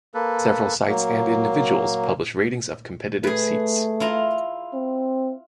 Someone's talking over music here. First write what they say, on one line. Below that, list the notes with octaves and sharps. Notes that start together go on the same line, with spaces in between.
Several sites and individuals publish ratings of competitive seats.
A#3 A4 B4
F#3 A#3
A3 G#4 B4
E4 F4 A#5
C4